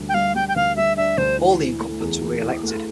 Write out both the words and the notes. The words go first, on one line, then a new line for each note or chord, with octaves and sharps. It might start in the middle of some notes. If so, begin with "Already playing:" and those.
All the incumbents were re-elected.
Already playing: D2 G3
G5
G3 F5
G3 G5
G5
D2 F5
G3 E5
D4 E5
D2 C5
E3
E3
A3
E2
E2
E3
A3